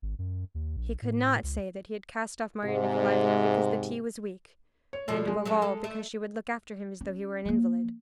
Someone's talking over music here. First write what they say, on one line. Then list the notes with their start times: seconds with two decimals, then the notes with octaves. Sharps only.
He could not say that he had cast off Marya Nikolaevna because the tea was weak, and, above all, because she would look after him, as though he were an invalid.
0.02 G#1
0.19 F#2
0.55 D#2
0.77 A#1
1.02 A2
1.43 C#2
2.64 G#2 C3 G4
4.93 C#5
5.08 B2 D3 F3 A4
5.27 G#3
5.46 F#3 A3 C#4
5.62 A4
5.84 A3
7.01 C#4
7.45 F3 A#3